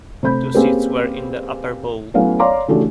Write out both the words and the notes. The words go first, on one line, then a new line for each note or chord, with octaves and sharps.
Two seats were in the upper bowl.
C3 A3 C5 B5 G6
A#3 C4 C#4 G4 G#4 B4
F#3 A3 B3 C#4 E4 F5
C#5 D5 F5 A#5 C6 D6
C#3 E3 A3 D4 F#4 G4